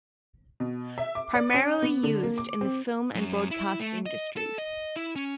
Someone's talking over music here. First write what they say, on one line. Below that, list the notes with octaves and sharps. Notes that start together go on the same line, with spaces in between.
Primarily used in the film and broadcast industries.
B2
E5
D6
D5
C#4
B3
D3
A#3
D6
C4
F#2
E4
A3
D#5
A4
D#5
E4
C#4